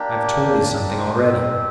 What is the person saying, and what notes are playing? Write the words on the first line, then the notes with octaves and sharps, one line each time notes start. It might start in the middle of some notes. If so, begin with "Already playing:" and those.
I've told you something already....
Already playing: A#3 D4 G4
D5
C5
C4 G4